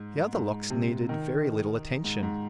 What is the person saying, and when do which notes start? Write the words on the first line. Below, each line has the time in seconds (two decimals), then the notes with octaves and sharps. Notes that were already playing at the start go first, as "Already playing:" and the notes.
The other locks needed very little attention.
Already playing: G#2
0.33 G#2
0.70 C3
1.09 D#3
2.04 G#2
2.23 G#2